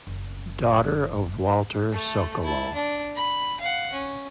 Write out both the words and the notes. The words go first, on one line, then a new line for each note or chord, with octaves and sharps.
Daughter of Walter Sokolow.
F#1 F#2
A3 A4
E4 A5
D4
B5
F5 F#5
C#4